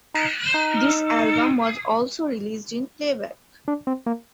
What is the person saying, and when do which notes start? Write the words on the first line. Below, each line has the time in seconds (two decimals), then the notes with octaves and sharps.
This album was also released in playback.
0.14 D#4
0.54 D#4
3.68 D4
3.87 C4
4.06 A#3